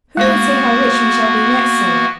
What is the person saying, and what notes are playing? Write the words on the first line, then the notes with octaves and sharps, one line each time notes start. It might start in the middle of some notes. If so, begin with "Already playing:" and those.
Who can say how rich we shall be next summer?
G#3 A#3 B3 F#4 C5